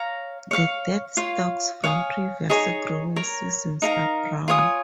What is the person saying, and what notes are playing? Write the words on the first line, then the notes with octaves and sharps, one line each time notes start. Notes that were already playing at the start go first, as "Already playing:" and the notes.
The dead stalks from previous growing seasons are brown.
Already playing: C#5 F5 A#5
C#5 F5 C#6
F4 C#5 F5
C#5 F5 G#5 D#6
D#4 G#4 C#5 A#5
A#4 C#5 A#5
D#4 A#4 F5 A#5
F4 C#5 G#5 D#6